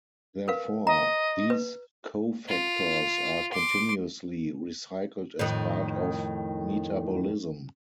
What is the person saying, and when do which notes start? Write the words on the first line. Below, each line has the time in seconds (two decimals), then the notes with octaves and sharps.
Therefore, these cofactors are continuously recycled as part of metabolism.
0.48 A#4 B4 F5
0.87 D#5 A#5
1.50 B4
2.49 F4
3.53 C6 D6
5.39 F2 A2 D#3